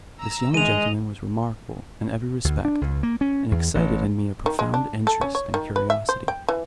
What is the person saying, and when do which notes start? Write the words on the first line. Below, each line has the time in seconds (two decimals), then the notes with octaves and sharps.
This young gentleman was remarkable in every respect, and excited in me a profound interest and curiosity.
0.21 A#5 E6
0.54 D#3 E3 G#3 D#5 D#7 F7
2.44 D2
2.65 D4
2.81 C#2
3.03 A#3
3.21 C#4
3.51 E2
3.75 A1
4.46 D#3
4.59 G#3
4.74 D4
5.07 A4
5.21 C#4
5.35 C#5
5.54 D#3
5.76 B4
5.90 E5
6.09 C5
6.28 G5
6.48 E3